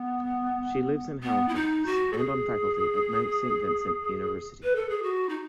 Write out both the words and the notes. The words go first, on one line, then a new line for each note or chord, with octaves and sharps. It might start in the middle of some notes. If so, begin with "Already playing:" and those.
She lives in Halifax, and on faculty at Mount Saint Vincent University.
Already playing: B3
B3
E4
D#4
F#4
A4
G#4
B4
A4
G#4
F#4
D#4